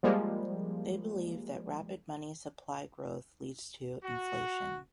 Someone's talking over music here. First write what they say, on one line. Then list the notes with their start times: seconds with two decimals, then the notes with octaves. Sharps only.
They believe that rapid money supply growth leads to inflation.
0.03 F3 G3 G#3 A#3
4.03 F#4